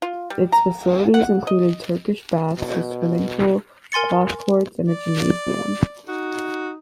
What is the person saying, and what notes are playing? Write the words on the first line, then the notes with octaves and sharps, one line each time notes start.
Its facilities included Turkish baths, a swimming pool, squash courts and a gymnasium.
F4
G3
A#5
F#5
D#5
B2
A#4 G#5 C6 A6 C#7
D5
D#4 F#4